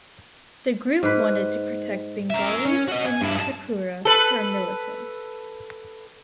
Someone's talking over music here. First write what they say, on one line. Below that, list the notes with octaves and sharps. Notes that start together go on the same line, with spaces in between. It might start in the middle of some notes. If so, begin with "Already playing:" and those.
The group wanted to protect Bengalis in Tripura from militants.
G#2 B4
A#4 E5
C#4
F#4 D#5
G#5
G2 E4
G#4 A5
A4 B4